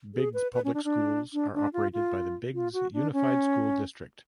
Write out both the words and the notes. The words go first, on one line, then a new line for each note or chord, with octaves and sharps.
Biggs's public schools are operated by the Biggs Unified School District.
G#4
B4
B4
C#4
D4
D4
D4
D4
F4
F4
F4
F#4
D4
C#4